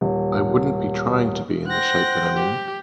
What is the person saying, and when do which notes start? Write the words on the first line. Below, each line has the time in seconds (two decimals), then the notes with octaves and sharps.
I wouldn't be trying to be in the shape that I'm in.
0.01 D#1
1.66 C5 F#5 G5 F#6 A#6
2.36 G4